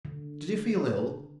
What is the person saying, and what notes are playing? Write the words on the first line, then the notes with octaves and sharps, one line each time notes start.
"Did you feel ill?"
D3